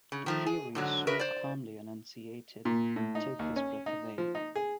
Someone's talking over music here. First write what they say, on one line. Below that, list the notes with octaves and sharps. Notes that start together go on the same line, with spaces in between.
The theory so calmly enunciated took his breath away.
C#3
D#3 F3 A3
G#4
G#2 D3 F#3
F#4 A#4 B4 D#5 E5
C5 D5
A#2
A2
D#4
D#2
C#4
D#4
F3
D#4
G#4